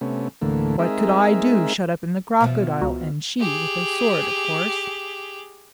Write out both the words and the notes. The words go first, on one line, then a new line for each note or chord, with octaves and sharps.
"What could I do shut up in the crocodile, and she with a sword, of course?"
C3 A3 B3 C#4
D2 A2 D3 E3 A3 A#3
G#3 C4 D#4 G#4 A#4 E5
B2 E3 F3
C#2 F#4 A#5
G4 G#4